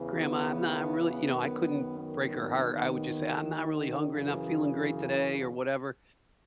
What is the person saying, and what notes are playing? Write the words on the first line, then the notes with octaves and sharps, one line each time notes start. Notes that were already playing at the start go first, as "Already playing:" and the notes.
"Grandma, I'm not really" you know, I couldn't break her heart. I would, just, say, "I'm not really hungry, I'm not feeling great today or whatever."
Already playing: E2 C#3 E3
B3
F#2 D#3
B3
D#2 D#3
F#2 C#3 E3